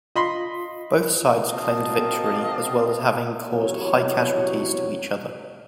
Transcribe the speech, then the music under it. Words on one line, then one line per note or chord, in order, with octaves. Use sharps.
Both sides claimed victory, as well as having caused high casualties to each other.
F4 D#5 B5 C6
C4 F#4 A#4 D#5 F5 A5
E2 C3 F#3 F#4 C#5